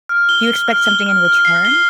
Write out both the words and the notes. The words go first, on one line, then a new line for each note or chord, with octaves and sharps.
Do you expect something in return?
F6
G7
G7
F6
G7
F6
F6
C7
G7